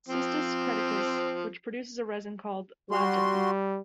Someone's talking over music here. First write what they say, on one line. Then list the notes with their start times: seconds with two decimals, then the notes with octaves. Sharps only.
Cistus creticus, which produces a resin called labdanum.
0.08 F3 C4
2.91 G3 F#4 C6